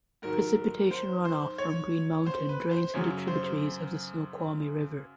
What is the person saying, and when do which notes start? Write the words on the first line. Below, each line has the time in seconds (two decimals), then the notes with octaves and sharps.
Precipitation runoff from Green Mountain drains into tributaries of the Snoqualmie River.
0.22 G#2 D#3 F#3 A#4
0.91 C5
1.25 C5
1.58 C#5
2.27 C5
2.49 B4
2.71 C5
2.94 F#2 C#3 F#3 C#5
3.28 C5